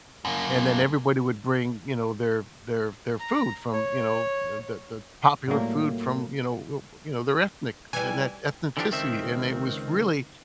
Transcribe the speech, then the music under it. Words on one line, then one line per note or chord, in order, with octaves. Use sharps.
and then everybody would bring, you know, their their their food from, you know, the the the popular food from, you know, uh, you know, their ethnic etn ethnicity, and it was really
F#2 A#3
A#5
C#5
A2 F#3 G3 A3 A#3
E3 G3 G#5
D3 E3 F3 B3 D4 G4
C#2 D#3 C4 E5